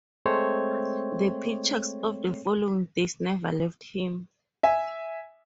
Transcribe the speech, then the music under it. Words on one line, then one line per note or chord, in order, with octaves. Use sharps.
The pictures of the following days never left him.
G#3 A3 C4 C5 C#5
E5 G#5